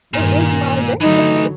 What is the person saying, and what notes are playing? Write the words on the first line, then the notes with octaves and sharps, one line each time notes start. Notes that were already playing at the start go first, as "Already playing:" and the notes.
It was my birthday.
G2 A#2 D#3
D3 E3 F#3 A3 D#4